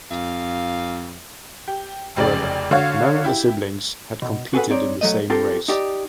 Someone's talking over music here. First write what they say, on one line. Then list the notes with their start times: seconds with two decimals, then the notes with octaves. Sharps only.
However, none of the siblings had competed in the same race.
0.11 F2 F5
1.68 G4
2.16 F1 F2 C#3 G4 D5 A6
2.71 D3 F#4 C#5 F5
3.24 E4 G4
4.22 B2
4.54 F#4 G#4 A4 B4 F#5
4.70 C4 D#4 C#5 D5
5.01 B1 F#3 A3 D#5
5.30 C4 F4 G4 A4 A#4
5.68 D#4 G4 D5